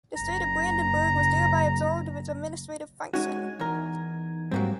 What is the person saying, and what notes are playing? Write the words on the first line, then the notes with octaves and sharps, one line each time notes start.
The state of Brandenburg was thereby absolved of its administrative function.
F#1 A#5
G#3 C#4 D#4 F#4 G#6
E2 A#4
G#2 F#3 G3 A#3 C4